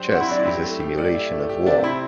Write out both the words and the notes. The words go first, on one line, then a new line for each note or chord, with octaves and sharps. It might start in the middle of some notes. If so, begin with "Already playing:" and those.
Chess is a simulation of war.
Already playing: F#3 D4 G4 C5
C4 F#4
E4
F#3 D4
E4
G4
A3
G4
D5
E4
A3
G4
C3 D4
C4 E4